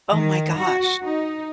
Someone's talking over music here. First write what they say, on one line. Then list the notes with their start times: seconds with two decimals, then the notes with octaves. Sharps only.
Oh my gosh.
0.13 D#3
0.57 F#4
1.04 D#4